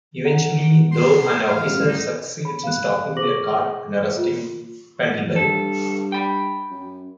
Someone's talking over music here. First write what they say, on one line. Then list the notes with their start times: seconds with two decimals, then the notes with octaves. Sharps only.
Eventually, though, an officer succeeds in stopping their car and arresting Pendlebury.
0.25 F#5 A#5
0.92 C6
1.48 F5
1.66 C#2 A2 G3
1.87 D#4
2.45 B5
2.64 F5 F#6
3.17 G#4 C5 C#6 D6 A#6 F#7
4.17 F4
5.36 G2 A4
6.12 G5 B5
6.70 F#2